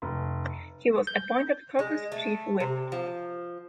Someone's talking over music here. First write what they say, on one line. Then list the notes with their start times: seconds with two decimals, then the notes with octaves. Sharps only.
He was appointed caucus chief whip.
0.02 F1
1.07 G6
1.79 G#3
2.12 A3
2.60 C3
2.92 F3